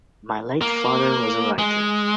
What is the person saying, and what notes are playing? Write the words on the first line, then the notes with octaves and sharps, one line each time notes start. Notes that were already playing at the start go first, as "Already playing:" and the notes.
My late father was a writer.
A#3
G#3